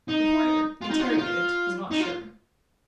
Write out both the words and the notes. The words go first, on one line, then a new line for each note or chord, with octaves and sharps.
The porter, interrogated, was not sure.
D#4
F4
D#4
F4
D#4
F4
D#4
F4